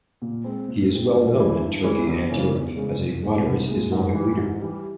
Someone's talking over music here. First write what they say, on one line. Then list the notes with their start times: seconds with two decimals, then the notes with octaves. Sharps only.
He is well known in Turkey and Europe as a moderate Islamic leader.
0.22 A#2
0.44 G#3 C4
0.68 A#2
0.91 G#3 C4
1.14 G2
1.37 E3 G#3 C#4 E4
1.60 G2
1.83 E3 G#3 C#4 E4
2.06 E2
2.29 C#3 E3 G#3 C#4
2.53 E2
2.75 C#3 E3 G#3 C#4
2.99 C2
3.22 A#2 G#3
3.45 C2
3.68 A#2 G#3
3.92 G#2
4.14 E3 G3
4.38 G#2
4.61 E3 G3